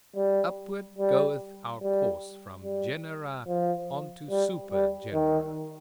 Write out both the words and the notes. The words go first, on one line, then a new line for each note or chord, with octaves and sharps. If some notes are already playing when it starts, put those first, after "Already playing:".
Upward goeth our course from genera on to super-genera.
G3
G3
G3
G3
F3
G3
G3
D#3